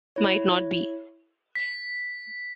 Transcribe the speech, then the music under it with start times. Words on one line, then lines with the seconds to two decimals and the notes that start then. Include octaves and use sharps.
It might not be.
0.16 E4 C#5
1.55 B6